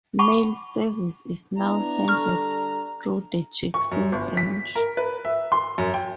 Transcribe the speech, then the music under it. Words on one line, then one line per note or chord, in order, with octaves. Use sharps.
Mail service is now handled through the Jackson branch.
F#5 A5 B5 C#6 D6
B3 D4 E4 A#5
D3 G3 A4 C#6 F6
C#6
F#2
G1
B6
A#4
B4
E5
C6
F#2
G5